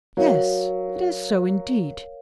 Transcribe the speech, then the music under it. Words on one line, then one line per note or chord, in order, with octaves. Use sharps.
'Yes; it is so, indeed.
F#3 A#4 C#5 F5